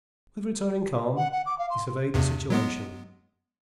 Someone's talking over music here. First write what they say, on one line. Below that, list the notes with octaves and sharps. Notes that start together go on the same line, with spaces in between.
With returning calm, he surveyed the situation.
F#5
F#5
D6
F5
C6
E2 G2 C3
F#3 G#3 B3